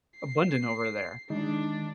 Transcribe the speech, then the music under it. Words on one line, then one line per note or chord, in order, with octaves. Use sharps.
abundant over there.
C7
D#3 G#3 D4 D#4